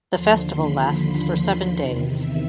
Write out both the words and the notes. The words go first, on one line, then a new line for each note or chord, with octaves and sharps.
The festival lasts for seven days.
D#2 D3 F3 C6
B5
E2 C3 D#3
E5